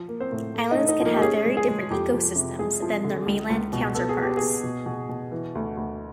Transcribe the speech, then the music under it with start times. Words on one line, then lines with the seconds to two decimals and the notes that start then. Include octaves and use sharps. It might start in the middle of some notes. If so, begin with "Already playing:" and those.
Islands can have very different ecosystems than their mainland counterparts.
Already playing: F3
0.08 A#3
0.20 C4 C5
0.32 A2
0.55 A3
0.71 D#4 D#5
0.77 A3
0.89 D#4 D#5
1.00 F3 A#3 A#4
1.14 G4
1.22 C#4 G#4
1.46 G#3
1.57 G#4
1.68 G#3
1.90 F2 G4
2.14 F2
2.36 C3
2.59 G#3 G#4
2.82 F3
3.04 D3
3.27 C#2
3.50 C#2
3.73 B2
3.95 B3 A4
4.09 G#4
4.18 B3 G4
4.37 B3 G#4
4.63 B2
4.86 B2
5.09 B2
5.31 E3
5.55 D2
5.77 D2